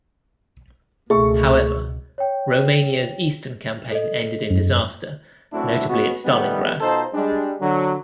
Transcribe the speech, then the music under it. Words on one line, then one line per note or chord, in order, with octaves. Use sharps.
However, Romania's eastern campaign ended in disaster, notably at Stalingrad.
C#2 B2 A3 G#4 C#6
C#5 G5
A4 D#5
F#2
F#2 A3 C4 D4 E4 F#4
G#3 B3 C#4 F#4
D#3 G3 A3 B3
B2 D#4 F4 A4 C5
G3 G#3 D4
D3 F#3